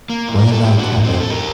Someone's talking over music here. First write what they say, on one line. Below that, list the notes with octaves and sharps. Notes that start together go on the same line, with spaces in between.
Where’s our cabin?
A#3
A2
A#4
A2
A4
A#3 G4
A2 D4 F#4
A#3
C4 D#4
A2
A4
G4 A#4